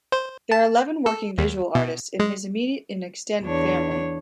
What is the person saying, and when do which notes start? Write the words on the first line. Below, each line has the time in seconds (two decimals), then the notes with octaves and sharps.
There are eleven working visual artists in his immediate and extended family.
0.12 C5
0.51 A5
1.06 A4
1.38 D#2
1.75 B2
2.19 G#3
3.42 E2 D4 C#5